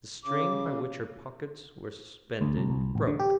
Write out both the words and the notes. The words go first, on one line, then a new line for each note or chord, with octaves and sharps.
The string by which her pockets were suspended broke.
C#3 D6
D2
C2
C2
A1
D3
G4